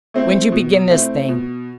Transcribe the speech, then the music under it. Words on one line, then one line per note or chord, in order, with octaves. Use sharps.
"When'd you begin this thing?"
A3 C4 E4
B2
A3 C4 E4
B2